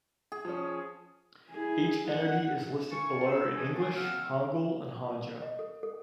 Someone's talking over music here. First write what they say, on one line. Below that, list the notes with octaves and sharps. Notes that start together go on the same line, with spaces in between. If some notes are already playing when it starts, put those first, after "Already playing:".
Each entity is listed below in English, Hangul, and Hanja.
G#4
F3 C#4
E4 G#4
F#5
F5 G#5 A5 C#6
D#4 B4 C6 E6
B2 E3 G#3 D4 D#4 G#4
B3 D4 A4 C5 D5 G#5
C#3 A#3 C4 F#5 E6 F6
D#5
A4
A4